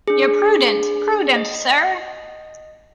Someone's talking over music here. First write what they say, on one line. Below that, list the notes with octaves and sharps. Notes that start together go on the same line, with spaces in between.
You're prudent, prudent, sir!
D4 G#4
D#5